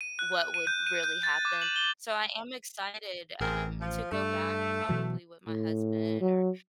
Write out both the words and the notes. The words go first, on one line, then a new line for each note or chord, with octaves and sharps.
what would really happen, so I am excited, um, to go back probably with my husband or
D#7
F#6
F#6
D#7
G6
D#7
G6
A6
D6
F#7
G7
A1 C4 G#4 A#4
F3
G2 A3
B2 E3 F#3
A2
F#3